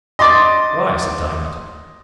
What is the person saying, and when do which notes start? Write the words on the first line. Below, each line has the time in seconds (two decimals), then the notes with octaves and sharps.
"Why?" said Diamond.
0.19 D#5 C6 D6 A6